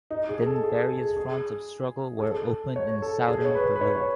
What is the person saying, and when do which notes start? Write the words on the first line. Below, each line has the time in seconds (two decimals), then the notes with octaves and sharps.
Then various fronts of struggle were opened in southern Peru.
0.11 D#4
0.29 G#4
0.46 A4
0.64 G#4
0.90 G#4
1.17 G#4
2.19 G#4
2.23 A4
2.76 C#5
3.02 A4
3.28 G#4
3.45 C#5
3.55 B4
3.76 B4
3.81 C#5
3.96 C#5